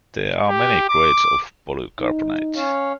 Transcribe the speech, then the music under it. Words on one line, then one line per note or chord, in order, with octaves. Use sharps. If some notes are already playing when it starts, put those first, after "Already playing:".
There are many grades of polycarbonate.
G4
D6
D#4
C#4 C#5 F5